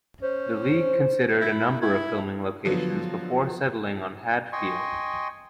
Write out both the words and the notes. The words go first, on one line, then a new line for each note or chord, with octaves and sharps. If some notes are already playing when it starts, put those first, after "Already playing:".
The League considered a number of filming locations before settling on Hadfield.
C#4 C5
E4 B5
E4 G#6
D3 F3 F#3 B3
D#5 G5 G#5 C6 C#6